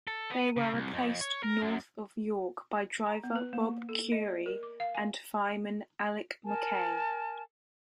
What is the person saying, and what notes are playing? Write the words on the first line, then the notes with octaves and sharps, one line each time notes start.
They were replaced north of York by driver Bob Currie and fireman Alec Mackay.
A4
B3
C#3
C2
F2
C#5
A#4
F#2
A#5
B3
B4
A#3
A4
D#5
D5
A#4
D6
F5
G#5
A#4 G#5 A5